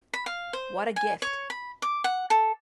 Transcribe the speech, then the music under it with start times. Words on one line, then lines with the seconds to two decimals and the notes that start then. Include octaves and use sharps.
What a gift.
0.14 B5
0.26 F5
0.53 C5
0.96 G#5
1.22 C#5
1.50 B5
1.82 D6
2.04 F#5
2.30 A4